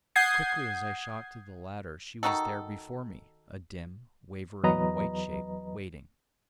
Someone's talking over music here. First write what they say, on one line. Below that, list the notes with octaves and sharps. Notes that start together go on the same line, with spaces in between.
Quickly as I shot to the ladder she was there before me, a dim, wavering white shape, waiting.
F#5 D#6 G6 G#6 C7
D#3 D#4 F#4 A4
E2 F#3 B4 D#5 A#5